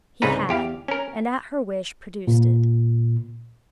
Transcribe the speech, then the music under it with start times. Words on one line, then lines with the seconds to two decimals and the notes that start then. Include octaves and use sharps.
He had, and at her wish produced it.
0.22 C2 G#2 C#3 D#4 B4 A#5
0.49 E2 G4 F5
0.88 C#4 A#4
2.27 A#2